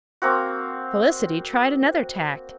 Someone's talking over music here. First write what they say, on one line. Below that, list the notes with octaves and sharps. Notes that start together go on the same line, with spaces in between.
Felicity tried another tack.
A#3 C4 F#4